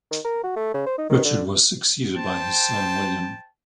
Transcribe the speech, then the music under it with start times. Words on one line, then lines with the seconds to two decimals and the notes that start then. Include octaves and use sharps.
Richard was succeeded by his son William.
0.11 D#3
0.25 A#4
0.44 F#4
0.56 A3
0.74 C#3
0.87 C5
0.98 D#4
1.10 D#3
1.25 D3
2.16 C5 G5 A5